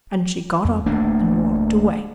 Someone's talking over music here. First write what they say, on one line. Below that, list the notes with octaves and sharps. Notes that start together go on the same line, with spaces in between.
And she got up, and walked away.
F2
D1 A3 A#3 D4